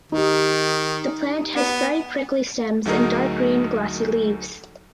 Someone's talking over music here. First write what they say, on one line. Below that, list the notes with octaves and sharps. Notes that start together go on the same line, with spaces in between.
The plant has very prickly stems and dark green glossy leaves.
D#3 D#4 G4
B3
D2 F#3 A3 D#4 G#4 A#4